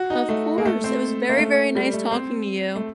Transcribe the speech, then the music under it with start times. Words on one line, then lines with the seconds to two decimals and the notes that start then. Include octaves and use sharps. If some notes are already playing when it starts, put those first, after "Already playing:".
Of course, it was very, very nice talking to you.
Already playing: F#4
0.10 D#4
0.29 A3
0.58 A#3
0.65 A3
0.84 C4
1.29 A#3
1.38 A3
1.75 G3
1.93 A3
2.11 C4
2.76 A3